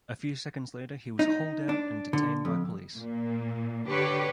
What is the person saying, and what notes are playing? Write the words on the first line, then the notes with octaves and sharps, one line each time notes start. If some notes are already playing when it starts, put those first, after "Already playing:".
A few seconds later he was hauled out and detained by police.
D#4
D4
D3
F2
A#2 A#3
D3 G4 B4 C#5